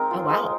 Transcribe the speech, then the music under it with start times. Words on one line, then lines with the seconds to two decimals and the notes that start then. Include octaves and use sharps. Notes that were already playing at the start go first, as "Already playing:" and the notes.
Oh, wow.
Already playing: G#3 A#3 C4 D#4 A#4
0.11 F4
0.19 C5
0.30 G#3